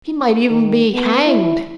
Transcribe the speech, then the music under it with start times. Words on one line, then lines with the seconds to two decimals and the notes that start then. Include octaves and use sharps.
He might even be hanged.
0.50 D#3
0.93 B3
1.26 E4